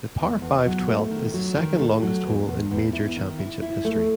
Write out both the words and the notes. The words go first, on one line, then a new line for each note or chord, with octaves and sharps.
The par five twelfth is the second longest hole in major championship history.
E2
E2
F#3
A3
D#3
F#3
D#3
A3
F#3
E2
E2
E2
E4
D#3
E4
E4
A3